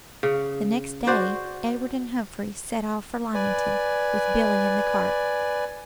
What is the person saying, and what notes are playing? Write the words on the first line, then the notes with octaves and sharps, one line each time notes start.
The next day, Edward and Humphrey set off for Lymington, with Billy in the cart.
C#3
F#4 C5 D5
B4 D5 G#5